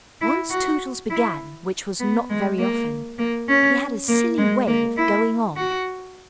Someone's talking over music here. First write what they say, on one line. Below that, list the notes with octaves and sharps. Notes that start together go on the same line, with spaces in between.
Once Tootles began, which was not very often, he had a silly way of going on.
E4
F#4
E4
B3
G#3
A#3
A#3
C#4
A#3
G#3
A#3
E4
F#4